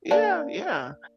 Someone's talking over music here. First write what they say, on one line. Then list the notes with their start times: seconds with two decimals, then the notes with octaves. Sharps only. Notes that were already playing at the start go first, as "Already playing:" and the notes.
Yeah, yeah.
0.11 A#3 D4